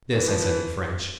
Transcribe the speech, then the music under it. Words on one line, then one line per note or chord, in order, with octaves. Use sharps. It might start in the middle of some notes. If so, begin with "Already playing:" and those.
This I said in French.
E3
F3
E3